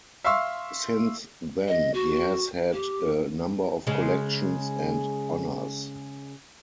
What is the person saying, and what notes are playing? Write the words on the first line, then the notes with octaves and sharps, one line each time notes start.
Since then he has had a number of collections and honors.
E5 F5 C6 C#6 E6
D#5
F#4
G4
C#3 G#3